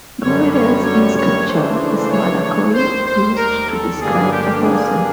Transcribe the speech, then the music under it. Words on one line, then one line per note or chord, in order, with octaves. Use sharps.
Nowhere else in scripture is Malakoi used to describe a person.
F#2 D3 G3 C#5
C#5
C#5
C#5
C#3 E3 A3 D4 C5
C#5
C#5
D#2 D#3 G3 C5
C5
A#4
A4
G2 D3 G3 A#3 D4 G#4
G4
G#4